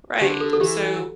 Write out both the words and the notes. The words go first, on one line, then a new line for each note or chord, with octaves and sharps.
Right, so
D3 G4
A4
A4
E3 G4